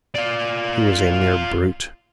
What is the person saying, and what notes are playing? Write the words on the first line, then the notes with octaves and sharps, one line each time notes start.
He was a mere brute.
F4 D5